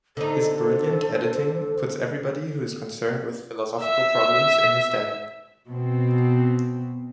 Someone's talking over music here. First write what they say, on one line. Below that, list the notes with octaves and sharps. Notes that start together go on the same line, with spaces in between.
His brilliant editing puts everybody who is concerned with philosophical problems in his debt.
D3 D#4 A4 C5
E5 E6
B2 C4